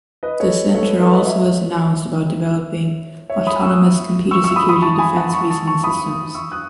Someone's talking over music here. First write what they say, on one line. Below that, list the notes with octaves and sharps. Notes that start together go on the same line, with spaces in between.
The centre also has announced about developing ""autonomous computer security defense reasoning systems"".
B4 D#5
A4 C#5
A4 C#5
B4
A4 C#5
B4 D#5
C#5 E5
C#5 E5
B5 D#6
C#6 E6
C#6 E6
C#6 E6
B5 D#6
B5 D#6
A5 C#6
G#5 B5
F#5 A5
B5
A5 C#6
A5 C#6
A5 C#6
B5 D#6
C#6 E6
D#6 F#6